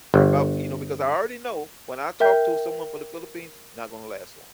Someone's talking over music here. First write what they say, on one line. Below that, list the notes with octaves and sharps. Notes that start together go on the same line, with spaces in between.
or about, you know, because I already know when I talk to someone from The Philippines, not gonna last long.
G1
A#4 E5 G5 G6